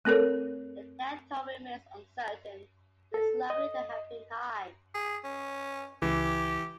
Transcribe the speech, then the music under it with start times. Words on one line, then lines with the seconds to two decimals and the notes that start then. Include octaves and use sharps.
The death toll remains uncertain, but is likely to have been high.
0.05 A3 C4 A4 A#4 C#5
3.14 A4
3.50 D#5
4.94 G#4
5.24 C#4
6.02 C#2 E3 G4